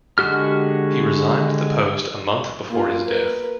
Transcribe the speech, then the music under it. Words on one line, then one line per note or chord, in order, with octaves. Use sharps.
He resigned the post a month before his death.
D3 G#3 F#4 G4 F6
A#3 F4
A#4 B4